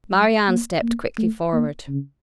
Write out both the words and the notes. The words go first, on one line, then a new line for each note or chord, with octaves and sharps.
Marie-Anne stepped quickly forward.
G3
A#3
A#3
A3
A#3
C#3